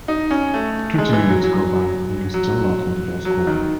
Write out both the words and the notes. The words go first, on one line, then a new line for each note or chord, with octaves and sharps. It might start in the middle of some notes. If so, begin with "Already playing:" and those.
Twenty minutes go by and you're still locked into those two chords...
D#4
C#4
A3
G#3
E3
F#3
F#3
F#3
F#3
D#3